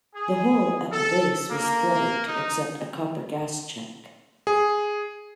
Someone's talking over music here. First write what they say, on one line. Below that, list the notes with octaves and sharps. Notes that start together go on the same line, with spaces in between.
The hole at the base was threaded to accept a copper gas check.
G#4
A4
A#3
D#4
G#4